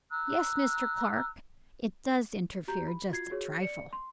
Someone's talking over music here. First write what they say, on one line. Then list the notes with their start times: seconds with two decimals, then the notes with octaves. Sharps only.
"Yes, Mr. Clark, it does interfere just a trifle."
0.10 A#5 E6 F#6
2.68 F#4 G4 A#5 G6
2.88 B5
3.10 F4 F#4 G#6 C7
3.31 F#4 G#4 C#5
3.62 D5 C#7
3.93 C6